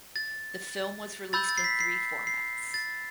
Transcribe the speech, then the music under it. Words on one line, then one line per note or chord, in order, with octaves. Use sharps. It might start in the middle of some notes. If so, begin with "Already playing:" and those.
The film was released in three formats.
A6
B5 E6 G6 A6
A6
C7
B6
C7
C7
A6